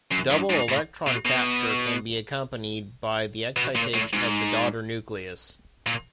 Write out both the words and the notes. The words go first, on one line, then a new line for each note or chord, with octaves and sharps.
Double electron capture can be accompanied by the excitation of the daughter nucleus.
F#2
G2
G#2
A2
B2
B2
B2
A#2
A2
G#2
A#2